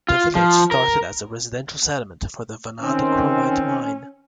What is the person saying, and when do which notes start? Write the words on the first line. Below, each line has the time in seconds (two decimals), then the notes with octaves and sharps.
The village started as a residential settlement for the Vanad chromite mine.
0.08 F4
0.35 F3
0.71 A#4
2.81 D#3 C4 C#4